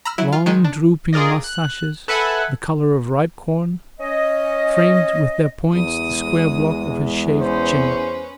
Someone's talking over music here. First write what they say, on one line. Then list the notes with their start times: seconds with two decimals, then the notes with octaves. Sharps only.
Long, drooping moustaches, the colour of ripe corn, framed with their points the square block of his shaved chin.
0.05 A#5 B5 E6 F6
0.18 F#3 E4
0.33 F4
0.46 D#3 G#3
0.65 D4
1.13 F4 G#4 A#4 D5 D#5
1.44 F#6
2.08 A4 B4 E5 F#5 G#5 B5
4.00 C#4 D#5
5.74 E2 G#3 D#6
7.40 C#4 B4 C5